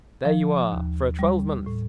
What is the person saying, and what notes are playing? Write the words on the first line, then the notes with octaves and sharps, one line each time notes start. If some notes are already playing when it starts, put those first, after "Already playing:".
There you are, for a twelvemonth!
F3
D#2
G3
A2